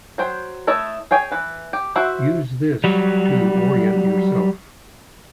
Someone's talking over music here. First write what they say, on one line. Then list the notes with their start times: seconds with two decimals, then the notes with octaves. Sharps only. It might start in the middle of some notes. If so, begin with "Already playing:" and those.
Use this to orient yourself.
0.18 F#3 C5 G5
0.67 A3 E4 C#5 D#5 A5
1.11 G#4 C#5 G5 G#5
1.31 E3 B4
1.73 G4
1.96 E4 F#4 C5 E5
2.84 F#3 G3